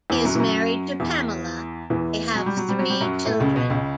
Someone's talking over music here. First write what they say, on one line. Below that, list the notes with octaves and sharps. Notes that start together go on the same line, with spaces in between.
He is married to Pamela; they have three children.
E2 E3
F#2 F#3
E3
F#2 F#3
E2 E3
E2 E3
F#3
G3
F#3
G3
F#3
G3
F#2 F#3
A2 A3
C#2 C#3
B2
C#2 C#3